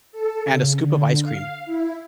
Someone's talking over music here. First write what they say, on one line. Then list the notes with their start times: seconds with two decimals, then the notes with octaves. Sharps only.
and a scoop of ice cream.
0.12 A4
0.46 C#3
0.77 D3
1.24 F5
1.66 E4